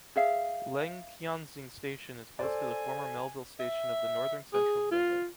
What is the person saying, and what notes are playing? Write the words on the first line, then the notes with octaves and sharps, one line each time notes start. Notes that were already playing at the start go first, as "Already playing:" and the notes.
Lengquanxiang station is close to the former Melville station of the Northern Central Railway.
G#4 E5 F5
A4 C5 D5 G#5
E5
G#4
F4